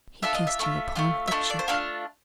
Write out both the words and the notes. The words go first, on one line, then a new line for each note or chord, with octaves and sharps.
He kissed her upon the cheek.
D4 F4 A4 E5
D#5
E5
A3 D4 F4
A3 D4 F4
E5
A3 D4 F4 D#5
D5
C5
A3 D4 F4 F5